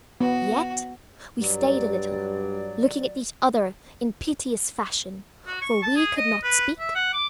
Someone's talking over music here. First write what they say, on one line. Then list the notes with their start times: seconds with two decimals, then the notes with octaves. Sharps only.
Yet we stayed a little, looking at each other in piteous fashion, for we could not speak.
0.21 B3 F#4
1.40 G2 F#3 D5
5.46 F#4
5.61 C#6
5.82 A5
5.95 G#4
6.16 D#5
6.43 B4
6.79 E5
6.95 F#5
7.13 D6